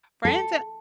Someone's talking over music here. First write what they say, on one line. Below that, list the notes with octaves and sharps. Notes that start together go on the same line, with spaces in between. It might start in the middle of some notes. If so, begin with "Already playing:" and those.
Friends and
A4